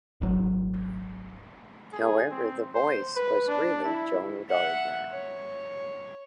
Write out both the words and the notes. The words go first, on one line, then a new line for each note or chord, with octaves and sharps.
However the voice was really Joan Gardner.
D#1 G#1 F#3
G#4
C4
C5
B4
D4
E4
E5 F#5
C#5